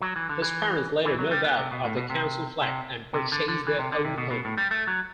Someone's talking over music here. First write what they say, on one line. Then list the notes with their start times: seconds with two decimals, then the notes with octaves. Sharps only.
His parents later moved out of their council flat and purchased their own home.
0.01 F#3
0.16 E3
0.29 D3
0.42 E3
1.05 E3
1.19 F#3
1.31 G3
1.44 B3
1.58 C3
1.71 B2
1.84 A2
1.97 B2
2.10 C3
2.61 C3
3.13 C3
3.32 D3
3.48 D3
3.67 E3
3.79 C3
3.92 D3
4.05 C3
4.18 B2
4.31 B2
4.45 A2
4.58 G3
4.71 A3
4.87 F#3